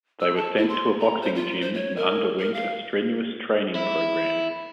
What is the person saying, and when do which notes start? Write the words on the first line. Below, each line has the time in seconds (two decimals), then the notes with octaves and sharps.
They were sent to a boxing gym and underwent a strenuous training program.
0.20 E6
0.36 A5
0.56 E4
0.69 C6
1.00 A#5
1.22 C5
1.35 F4
1.61 C5
1.74 C#5
1.96 A#4
2.39 A#4
2.54 F5
3.75 E4